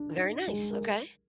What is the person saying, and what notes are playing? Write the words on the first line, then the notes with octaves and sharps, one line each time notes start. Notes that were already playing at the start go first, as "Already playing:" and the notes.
Very nice, okay.
Already playing: D4
D#4
G#3 G#4
A#4